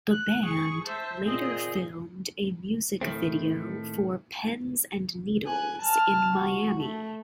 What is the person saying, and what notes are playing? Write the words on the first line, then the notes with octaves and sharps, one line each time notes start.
The band later filmed a music video for "Pens and Needles" in Miami.
F#6
G#4 C#6
C5 E5 A5
A#2 C4 G#4 D#5
A2 D#3 A3 C4
G#5 F#6
A5 F6
F#4
A3